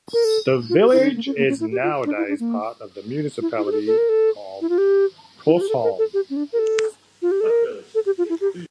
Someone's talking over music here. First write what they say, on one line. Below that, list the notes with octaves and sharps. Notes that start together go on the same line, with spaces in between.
The village is nowadays part of the municipality of Korsholm.
A#4
A4
F4
G4
E4
D4
A#3
C#4
A#3
C#4
E4
G4
F4
D4
E4
D4
A#3
E4
E4
G4
A4
A4
A#4
A4
E4
F4
G4
E4
F4
G4
A4
A#4
A4
G4
C#4
D4
A#4
A4
F4
G4
A4
A#4
A4
G4
F4
E4
G4